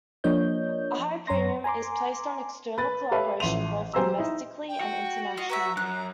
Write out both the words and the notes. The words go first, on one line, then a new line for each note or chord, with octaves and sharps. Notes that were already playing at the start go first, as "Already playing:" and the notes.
A high premium is placed on external collaboration both domestically and internationally.
F3 A#3 D4 C#5 D#5 G6
F#2 C#5 A#5 C6 A#6
G#5 A#5 C6 D6
B4 A6
G4 A4 B4 C#5 E5 F5
A1 F3 E5 C6 D#7 F7
F#3 G4 C5 G#5 A#5 E6
D#4 E4
G5
F#4
F4 D#5
B4 C#5 E5 A#5
F#2 A#5 F#6